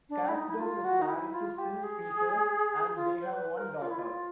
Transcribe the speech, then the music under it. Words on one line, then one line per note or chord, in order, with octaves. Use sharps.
Kasdorf is married to Phil Peters, and they have one daughter.
D4
E4
D#4
E4
F4
F#4
D#4
E4
F4
G4
G#4
F4
C5
B4
A#4
F4
E4
F4